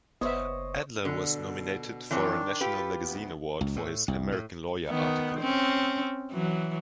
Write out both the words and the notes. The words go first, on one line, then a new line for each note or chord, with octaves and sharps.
Adler was nominated for a National Magazine Award for his "American Lawyer" article.
F#1 B3 C5 C#5 D#5 E5
B2 D3
D#3 E3 C4 D4 C#5
F4 G4 A4 B4
D2 B3
C#2
A2
C2
A2
D#3 B3
C4 C#4
E3 F#3